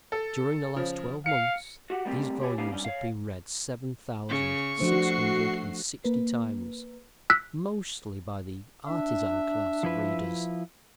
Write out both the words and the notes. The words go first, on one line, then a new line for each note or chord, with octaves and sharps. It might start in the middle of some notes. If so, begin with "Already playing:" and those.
During the last twelve months these volumes have been read seven thousand six hundred and sixty times, mostly by the artisan class of readers.
A4
C#3 F3
F5 C#7
F#4 G4 F#5
G3 A3 A#3 C4 G4
G4 C#5 G#5
B2 D4 G4 F5
G3 C#4 D4
C#5 F5
C#3 C#6
F3 A3 D4 F#4 C5 C7
A#3 B4
E6 F#6 B6
D4 E5
F3 E4 B4